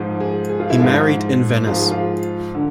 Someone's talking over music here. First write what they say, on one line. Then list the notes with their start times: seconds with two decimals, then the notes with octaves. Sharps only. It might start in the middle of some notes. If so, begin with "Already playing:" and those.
He married in Venice.
Already playing: G#2 F3
0.20 G#4
0.49 G#4
0.60 F4
0.70 E4
0.79 G#2 F3 F4
1.66 G#2 F3 F4
1.80 G#4
1.92 F4
2.55 D3